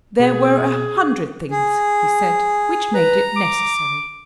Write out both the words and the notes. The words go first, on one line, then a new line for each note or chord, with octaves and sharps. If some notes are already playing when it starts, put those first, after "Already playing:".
There were a hundred things, he said, which made it necessary.
B2 G#4
G#4
B4 A#5
D6